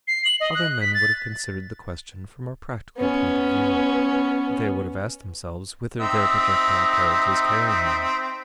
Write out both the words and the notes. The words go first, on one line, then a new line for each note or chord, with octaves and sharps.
Other men would have considered the question from a practical point of view; they would have asked themselves whither their projectile carriage was carrying them.
C7
F#7
D#5
F#6
B6
A6
B3 C#4
C4 D#4 E5